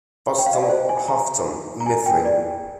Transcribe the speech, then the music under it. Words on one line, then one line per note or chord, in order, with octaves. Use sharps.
Boston, Houghton Mifflin.
G5
F5
D#5
D5
C5
G#5
A#5
A#5
G#5
G5
D5